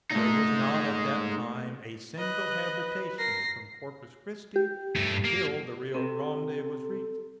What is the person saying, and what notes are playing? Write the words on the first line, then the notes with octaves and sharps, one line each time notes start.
There was not at that time a single habitation from Corpus Christi until the Rio Grande was reached.
A#2 G#3 A3 D#4
B4 D#5 F#6
A#4 A#6 C7
G4
G2 A3
A#3
C3 A4